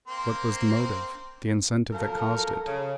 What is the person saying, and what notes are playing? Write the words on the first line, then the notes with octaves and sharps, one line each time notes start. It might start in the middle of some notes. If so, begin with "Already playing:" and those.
What was the motive, the incentive that caused it?
A#3 C4 C5
F3 F#3 A4 A#4
C#3